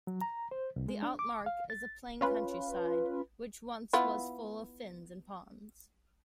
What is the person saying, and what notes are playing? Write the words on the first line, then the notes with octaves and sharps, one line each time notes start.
The Altmark is a plain countryside, which once was full of fens and ponds.
F#3
A#5
C5
C2
G#3
D4
D6
F5
A6
C#4 F4 B4
B3 E4 F4